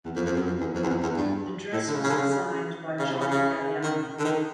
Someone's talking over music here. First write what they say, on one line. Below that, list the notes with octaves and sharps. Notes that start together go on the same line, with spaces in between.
The dress was designed by John Galliano.
E2
F2
F2
F#2
F2
E2
F2
E2
F2
E2
G2
A2
D3
C#3
C#3
D3
C#3
C#3
C3
C#3
C#3
D#3
D3
D#3